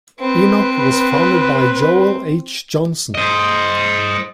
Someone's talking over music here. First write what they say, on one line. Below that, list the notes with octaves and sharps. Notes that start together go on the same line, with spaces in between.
Enoch was founded by Joel H. Johnson.
C4 B4
C5 D#5